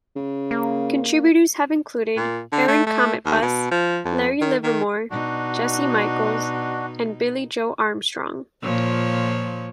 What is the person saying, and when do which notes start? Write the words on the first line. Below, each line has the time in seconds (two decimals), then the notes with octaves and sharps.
Contributors have included Aaron Cometbus, Larry Livermore, Jesse Michaels, and Billie Joe Armstrong.
0.16 C#3
0.51 A#3
2.17 A#2
2.52 D3
2.68 A3
2.87 A3
3.26 D#2
3.42 B2
3.71 F3
4.05 F2
4.41 D#3
4.63 D#3
5.10 B2 D4 D#4 F#4
8.62 A#2 F3 C#5